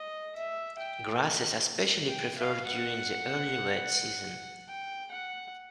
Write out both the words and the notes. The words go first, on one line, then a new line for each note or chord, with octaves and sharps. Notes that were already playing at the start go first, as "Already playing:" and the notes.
Grasses are specially preferred during the early wet season.
Already playing: D#5
E5
G5
G5
F5
F#5
G5
F#5